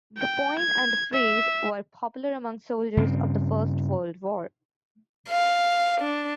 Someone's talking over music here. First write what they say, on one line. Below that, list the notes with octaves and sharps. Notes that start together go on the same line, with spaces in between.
The poem and the phrase were popular among soldiers of the First World War.
G5
G#6
E5
G2 C#3 C4
F5
D4